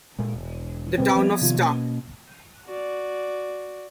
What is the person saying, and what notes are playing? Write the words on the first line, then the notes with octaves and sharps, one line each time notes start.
The town of Sta.
A#2 G#3
E1
D2 B2 G3 C4 B4
F3 B3
C3 D#3 F4
B2 A#3 C#4
F#4 D5